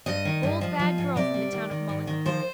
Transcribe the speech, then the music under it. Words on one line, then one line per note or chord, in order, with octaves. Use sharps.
Bold bad girl from the town of Mullingar.
G2 D#5
D#3
G2
F3
F3
G#2
C3 D5
G3
D#3
D#3
G#2
D#3
F3 C5